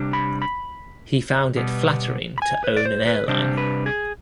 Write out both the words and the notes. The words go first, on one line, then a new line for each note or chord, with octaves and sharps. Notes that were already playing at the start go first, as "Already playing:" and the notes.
He found it flattering to own an airline.
Already playing: C3 G3 D4
B5
B5
B2 G3 B3
B5
G#5
B4
D5
C5
B4
C3 G3 D4 C5
B4
G#4